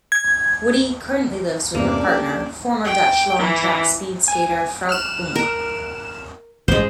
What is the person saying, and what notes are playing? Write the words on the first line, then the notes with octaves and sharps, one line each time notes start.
Witty currently lives with her partner, former Dutch long track speed skater Frouke Oonk.
G#6
E2 G2 C3 A#3 C#4 D4 D5
G4 A4
G5
E3
G#5
F6 F#6 E7
A#4
A1 G2 G#3 C5